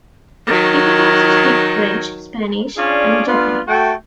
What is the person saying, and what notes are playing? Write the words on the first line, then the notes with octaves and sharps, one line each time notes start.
He can also speak French, Spanish, and Japanese.
D#3 F#3
C#4 D4 F4 G#4 D5
B3 D4 F4
A3 F#4 G5